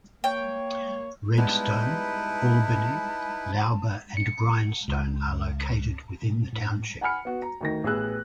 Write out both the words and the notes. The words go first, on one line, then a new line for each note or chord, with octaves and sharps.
Redstone, Albany, Lowber, and Grindstone are located within the township.
A#3 C#5 G5
G3 G#3 B3 D#4 E4 B4 A5
C#7
C#2
B2
A2
F#5 G#5 B5 F6 C#7
B3 F#4
A#5
D2 D#3 A#6
A1 B3 G#4 B4 E6 F#6